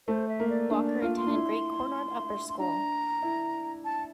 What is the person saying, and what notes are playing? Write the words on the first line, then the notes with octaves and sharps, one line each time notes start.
Walker attended Great Cornard Upper School.
A3 C5
E5
A#3
D5
D4
D5
F4
C6
D4
E4
C6
D4 A#5
E4
A5